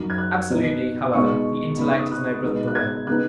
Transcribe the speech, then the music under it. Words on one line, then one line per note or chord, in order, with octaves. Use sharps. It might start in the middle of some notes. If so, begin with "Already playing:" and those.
Absolutely, however, the intellect is nobler than the will.
Already playing: F#2 F#3 D#4
G#6
F#6
B2 B3 D#4
B2 G#3 B3 D#4 C#6
C#3 B3 D#4 B5
C#6
D#6
F#6
B2 G#3 B3 D#4
F#6
G#6
C#3 B3 D#4 F#6